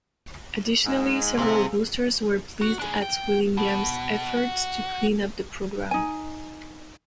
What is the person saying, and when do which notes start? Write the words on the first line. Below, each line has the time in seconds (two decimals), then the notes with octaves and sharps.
Additionally, several boosters were pleased at Willingham's effort to clean up the program.
0.86 G#2 G#3
1.39 C3 C4 G#4 F5 E6
2.61 F#4
2.79 D4 G#4
3.02 G5
3.57 B2
4.37 F#4
5.91 D#4 G#5